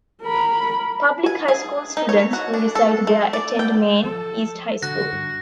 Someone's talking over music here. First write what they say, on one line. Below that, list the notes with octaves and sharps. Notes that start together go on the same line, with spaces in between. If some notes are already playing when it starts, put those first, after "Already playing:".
Public high school students who reside there attend Maine East High School.
A#4 B5
G#5
G#4
D#4
C#5
F#4
D4
A4
A3
D5
G5
F3 A4
D3 F#4 F#6 A#6
G2